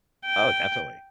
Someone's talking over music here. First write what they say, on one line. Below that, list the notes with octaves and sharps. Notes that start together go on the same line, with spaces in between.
Oh, definitely.
G5